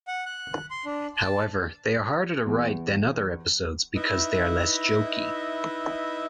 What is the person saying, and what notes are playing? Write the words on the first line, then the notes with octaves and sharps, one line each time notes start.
However, they are harder to write than other episodes because they are less jokey.
F#5
F#6
C6
D4
A5
E2
D#4 E4 B4 D#5 E5